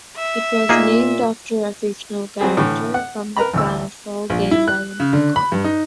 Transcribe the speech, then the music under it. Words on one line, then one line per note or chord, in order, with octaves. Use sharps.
It was named after a fictional character from the "Planetfall" game by Infocom.
E5
A#2 A#3 D#4 G#4
F#3 C4 G#4
A2 D3 E3
F#5
A#4 B4 A#5 B5
A1 D2 E6
A#1
E4
F#6
C#3
D3
B5
G2
D#4